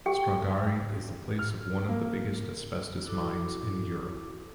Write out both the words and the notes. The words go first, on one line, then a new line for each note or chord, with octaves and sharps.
Stragari is the place of one of the biggest asbestos mines in Europe.
G4 G#4 G5
F6
A#3
E4 F#4 A4 D6